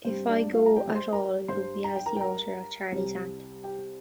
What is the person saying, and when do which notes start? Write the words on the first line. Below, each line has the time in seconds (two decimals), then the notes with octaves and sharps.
If I go at all it will be as the author of Charley's Aunt.
0.05 G2 G3 C4 C5
0.29 D4 D5
0.53 F4 F5
0.66 A#5
0.76 G4 G5
0.94 C5 C6
1.13 A#4 A#5
1.48 G2 G3 C5 C6
1.84 A#5
1.96 G5
2.06 A#4 A#5
2.16 G5
2.21 A#4 A#5
2.92 C2 C3 G3
3.64 G4 G5